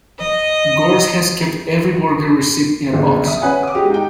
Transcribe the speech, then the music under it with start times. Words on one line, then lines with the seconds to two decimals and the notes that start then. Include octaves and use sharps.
Gorske has kept every burger receipt in a box.
0.19 D#5
2.93 G1 C#2
3.27 E5 D#6
3.41 C#4 B4 F#5 G#5
3.63 D6 D#6
3.75 G#3 F#4 G4
3.90 D#4 G5